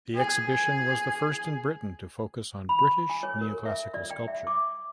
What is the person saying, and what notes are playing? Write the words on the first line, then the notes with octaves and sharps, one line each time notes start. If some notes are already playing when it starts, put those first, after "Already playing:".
The exhibition was the first in Britain to focus on British neoclassical sculpture.
G#4 G#5
B5
G#5
C#5
A#4
E5
D5
G5
E5
D6